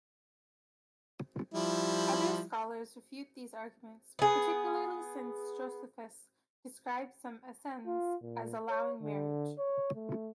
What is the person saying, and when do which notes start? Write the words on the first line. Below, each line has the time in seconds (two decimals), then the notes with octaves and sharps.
Other scholars refute these arguments-particularly since Josephus describes some Essenes as allowing marriage.
1.54 F3 G3 E4
4.19 B3 G#4
7.87 F4
8.22 A#2
8.70 C#5
9.02 D3
9.59 C#5
9.95 A3